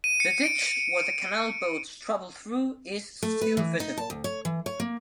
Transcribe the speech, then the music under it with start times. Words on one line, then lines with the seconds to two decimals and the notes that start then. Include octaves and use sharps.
The ditch where the canal boats traveled through is still visible.
0.04 D#7
0.20 C#7
0.44 D7
3.23 A3
3.41 B4
3.57 E3
3.80 D#4
3.97 A5
4.10 D2
4.24 C#5
4.45 E3
4.66 C#5
4.80 A#3